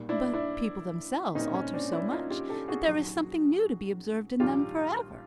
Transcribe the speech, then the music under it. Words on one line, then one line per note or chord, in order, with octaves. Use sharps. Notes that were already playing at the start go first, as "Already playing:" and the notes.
"But people themselves alter so much, that there is something new to be observed in them for ever."
Already playing: B1 A#2 G3
D4 E4
D4 E4
B1 A#2 G3 C4 C#4 D#4
C#4
C4 D4
D4 E4
D#4 F4
F4 G4
G4 A4
F#4 G#4
A#1 G#2 D#3 F#3
A#1 G#2 D#3 G3 F4 G4